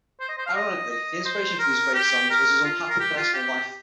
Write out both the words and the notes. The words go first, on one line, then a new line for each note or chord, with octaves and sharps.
Ironically, the inspiration for these great songs was his unhappy personal life.
C5
D#5
C5
F5
D#5
D#5
C5
A#4
G4
A#4
F4
A#4
G4
F4
G4